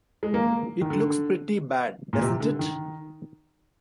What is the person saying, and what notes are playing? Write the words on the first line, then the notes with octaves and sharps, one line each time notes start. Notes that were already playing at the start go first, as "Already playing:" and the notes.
It looks pretty bad, doesn't it?
G#3
A#3
D#3
D3
A#2
C3
D3
D#3